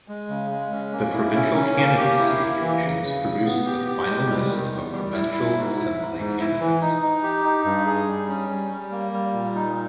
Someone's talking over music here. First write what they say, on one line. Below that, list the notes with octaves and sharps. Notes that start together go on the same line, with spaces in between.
The provincial candidacy commissions produce the final list of provincial assembly candidates.
G#3
C#3
G#3
C#4
A#3
E4
C#4
C#4
A#3
G4
E4
A#3
E3
C#3
C#3
C#3
B3
G4
G4
G#3
G3
D#3
E2
G3
E4
E4
G#2
E4
G#2
G#2
E4
E3
D#4
D#4
G4
D#4
G2
G#4
G3
C#4
G3
G3
A#3
G3
A#2
D#4